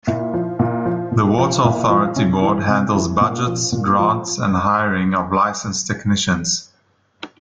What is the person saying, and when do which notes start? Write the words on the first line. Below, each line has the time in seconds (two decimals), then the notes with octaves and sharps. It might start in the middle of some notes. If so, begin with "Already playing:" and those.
The water authority board handles budgets, grants and hiring of licensed technicians.
0.07 A#2 E4
0.34 F3
0.59 A#2 E4
0.85 F3
1.11 A#2
1.38 F3
1.64 A#2 E4
1.90 F3
2.16 C3 C#4
2.42 E3
2.68 C3
2.94 E3
3.21 A#2
3.47 F3
3.72 A#2
3.99 F3